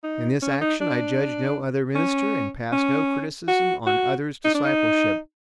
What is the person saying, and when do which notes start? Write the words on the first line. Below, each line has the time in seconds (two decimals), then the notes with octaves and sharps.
In this action I judge no other minister and pass no criticism on others' discipleship.
0.03 D#4
0.42 C#4
0.61 D#4
0.81 D4
1.95 C#4
2.72 C#4
3.48 F#4
3.87 F#4
4.45 D#4
4.54 D4
4.65 D#4